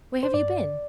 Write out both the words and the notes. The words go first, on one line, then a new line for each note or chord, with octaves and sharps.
Where have you been?'
C5
G2 D5